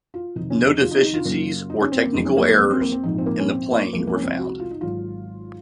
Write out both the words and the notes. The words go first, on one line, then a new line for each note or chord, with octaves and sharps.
No deficiencies or technical errors in the plane were found.
F4
F2 C3 D#3 D#4
C#4
D#4
F4
D#4
D#4
F4
F#2 C#3 F#3 A#3
D#4
C#4
C4
A#3
F#1 F2 C#3 G#3 D#4
C#4
A#3
A#3
C4
C4
A#3
C4
A#1 G#2 F3 D#4
C4
A#3
C#4
C4
A#3
C2 C3 F3 G#3 A#3
A#3
C#4
C4
F#4
F4
D#4
G#1 G#2 F#3 F4